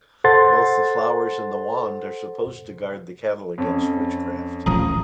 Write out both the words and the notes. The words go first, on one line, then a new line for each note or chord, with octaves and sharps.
Both the flowers and the wand are supposed to guard the cattle against witchcraft.
A4 C5 F#5 C6 A6
F2 C#4
D1 A1 F3 A#5 D#6